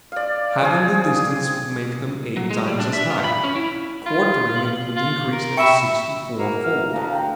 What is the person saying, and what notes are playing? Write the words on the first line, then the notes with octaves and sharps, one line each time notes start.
Halving the distance would make them eight times as high; quartering it would increase them sixty-four-fold.
D5 F5
F3 C4 G#4
F#3
G#3
G3
D4
E5
F4
B5
C#4
E4
F4
F#7
F4
A#4
E5 G5 B5 C#6
A#3 F#4
F#5 F6
D2 F5 A#5
F5 G5